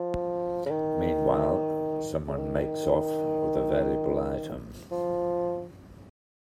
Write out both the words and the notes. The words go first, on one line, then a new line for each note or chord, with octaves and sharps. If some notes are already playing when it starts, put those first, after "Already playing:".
Meanwhile, someone makes off with a valuable item.
Already playing: F3
C#3
D#3
C#3
D#3
F3